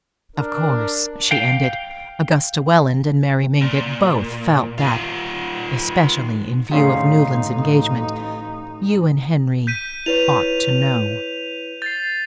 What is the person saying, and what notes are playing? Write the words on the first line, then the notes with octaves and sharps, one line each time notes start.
"Of course," she ended, "Augusta Welland and Mary Mingott both felt that, especially in view of Newland's engagement, you and Henry OUGHT TO KNOW."
D4 A#4
F5 G5
A#2
D#3 F4
A1 D2 C#4 D#4 G#4 F5 C6 C7
G6 B6 D#7
E4 B4 C#5 F7
G6 A6 C7